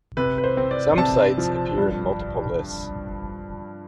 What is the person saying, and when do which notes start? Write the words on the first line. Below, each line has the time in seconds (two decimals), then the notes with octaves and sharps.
Some sites appear in multiple lists.
0.17 C3 B4
0.38 B4
0.44 C5
0.57 C4
0.71 D5
0.97 C3 A5
1.38 F3
1.78 G2